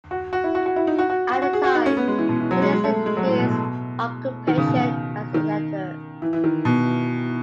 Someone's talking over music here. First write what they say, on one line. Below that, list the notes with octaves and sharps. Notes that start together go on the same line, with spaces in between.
At the time, he listed his occupation as "editor".
F#4
F#4
E4
F#4
F#4
E4
D#4
F#4
F#4
F#4
F#4
G#4
F#4
D#4
C#4
B3
G#3
E3
B2
E3
F#3
G#3
G#3
A3
G#3
F#3
A2
B2
B2
D#3
C#3
B2
C#3
D#3
E3
E3
D#3
B2